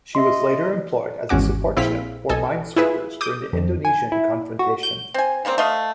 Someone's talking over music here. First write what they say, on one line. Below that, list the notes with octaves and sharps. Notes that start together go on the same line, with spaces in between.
She was later employed as a support ship for minesweepers during the Indonesian Confrontation.
D#5 E5 C6
G#1 E2 C#4 F#4 D6
A#1 C4 E4 G#4 F5 B6
B1 A4 D#5 G#5
E4 F4 G#4 B4 E5
D6 D#6 G6
F2
G#5
E4
F#4
G6
C4 G#5
C#3 G3 A#3 C4
A3 D#5 F5